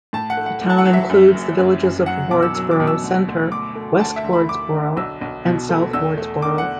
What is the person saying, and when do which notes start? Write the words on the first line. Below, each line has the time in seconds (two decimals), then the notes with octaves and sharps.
The town includes the villages of Wardsboro Center, West Wardsboro and South Wardsboro.
0.13 A2 A5
0.30 F#5
0.37 A3
0.46 F#5
0.61 A1
0.70 A5
0.78 F#5
0.85 F#3
0.93 E5
1.10 F#2
1.34 F#1
1.58 F#2
1.83 F#2
2.06 F#3 F#5
2.31 B2 D6
2.43 E6
2.55 F#3 E6
2.71 D6
2.80 B2
2.87 E6
3.04 D2
3.28 D2
3.52 D2 D6
3.75 A3
4.00 D2 A5
4.16 E5
4.24 D2
4.33 B5
4.49 D2 D6
4.73 D3
4.97 B1 E6
5.21 B1
5.45 B2
5.69 A3
5.93 E2 E6
6.17 A3
6.42 D3 D6
6.58 F#5